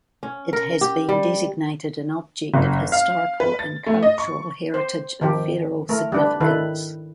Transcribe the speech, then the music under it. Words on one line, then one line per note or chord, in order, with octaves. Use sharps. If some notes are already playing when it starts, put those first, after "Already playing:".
It has been designated an object of historical and cultural heritage of federal significance.
C#4
A#4
G4
G3
F#1
F5
B4
A6
A3
D#5
C#6
C5
D#3 F3 G4
A3 A#4
G3 D4 B4
D#3 E4 A4 B4